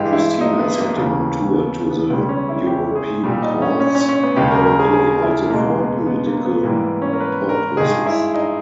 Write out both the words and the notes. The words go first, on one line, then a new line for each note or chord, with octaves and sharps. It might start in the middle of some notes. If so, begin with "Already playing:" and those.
Christina sent him on tour to the European courts, apparently also for political purposes.
Already playing: G2 E3 G#3 G4
E4
D#4
B3
A#3
D#2 C#3 E3
B3
B3
C#2 C#3 G3 B3
C#4
E4
G4
G#4
A#2 G3
D#4
C#4
C#4
C#4
C#4
B3
D#2 C#3 G#3 G4
A#4
A#4
G#4
G#4
E4
C#2 B2 G#3 A#3
B3
B3
A#3
B3
G#2 E3 G3 A#3
B3
C#4
A#4
B4
A#4
G2 D#3 G#3 G#4
E4
D#4